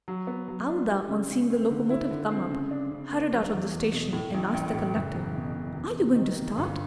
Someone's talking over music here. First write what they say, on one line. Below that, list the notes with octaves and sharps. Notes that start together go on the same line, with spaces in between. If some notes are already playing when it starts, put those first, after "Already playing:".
Aouda, on seeing the locomotive come up, hurried out of the station, and asked the conductor, "Are you going to start?"
F#3
B3
F#3
D4
G3
C#3
C#3
C4
D3
E4
D3
C4
C#3
D4
C#3
A#3
F#3
E2
E2
B2
A2
A1
A1
A2
F#1
E2
B2
B2
E2
C3
D#3
D#3
G1